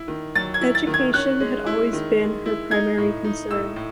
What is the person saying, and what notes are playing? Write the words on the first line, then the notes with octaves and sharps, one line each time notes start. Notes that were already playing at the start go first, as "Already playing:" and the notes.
Education had always been her primary concern.
Already playing: E4
D#3
F#3 A6
G#6
E4
A6
D#3
G#6
C#4 F#6
G#3
E4
D#3
G#3
E4
D#4 G#6
A2
D#4
A2 E6
A2